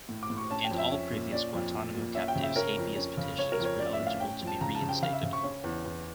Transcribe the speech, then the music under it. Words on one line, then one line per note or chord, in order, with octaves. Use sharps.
And all previous Guantanamo captives' habeas petitions were eligible to be re-instated.
A2
D6
A2
C#6
C#4 A5
G5
F2
E5
C#4
A#2
C#4 D5
F2
A#2
A#2
C#4 E5
G5
C#3
E5
C#4 A#4
F2
C#4
C#3
C#4 C#5
A#4
F2
C#5
C#4 D5
E5
A2
F5
C#4 G5
F2
A5
C#3 A#5
A5
C#3
G5
C#3 F5
E5
C#3
C#6
C#4
E2
E2